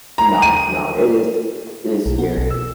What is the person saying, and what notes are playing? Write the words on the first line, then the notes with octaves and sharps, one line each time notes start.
No, no, it is it is scary.
A#5
D#7
B1
B3
B1
E6